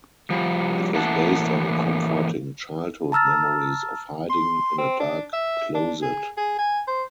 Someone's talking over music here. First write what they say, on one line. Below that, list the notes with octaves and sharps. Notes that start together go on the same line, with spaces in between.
It was based on comforting childhood memories of hiding in a dark closet.
F3 G3
A2 E3 A#3 F#5 A5
A5 A#5 E6 F6 A6
C6
C4
D4
E5
D4
G#4
G#4
G#5
C5